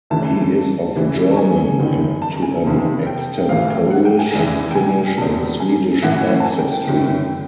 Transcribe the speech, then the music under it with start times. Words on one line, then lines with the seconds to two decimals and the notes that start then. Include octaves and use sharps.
He is of German, and to an extent Polish, Finnish, and Swedish ancestry.
0.10 D2 C#3 E3 A5
0.96 D#2 C#3 E3
1.31 A5
1.37 G#5
1.79 G1 F#2 D#3
2.22 A5
2.42 G#5
2.65 F1 F2 C3 D#3
3.07 G5
3.49 A1 A2 E3 F5
3.90 F#5
4.05 G5
4.19 G#5
4.33 F1 E2 C#3 E3
4.71 G5
4.75 G#5
5.18 E2 B2 A5
5.60 G#5
6.02 A1 A2 E3 F#5
6.40 A5
6.45 G#5
6.59 G5
6.73 G5
6.87 G1 F#2 D#3